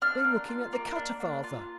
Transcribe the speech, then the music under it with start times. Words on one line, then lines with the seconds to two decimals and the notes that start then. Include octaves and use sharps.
"Been looking at the cutter, father?"
0.02 D4 F6
0.24 A#3
0.48 F4
0.73 A#3
0.95 D4
1.20 A#3
1.44 F4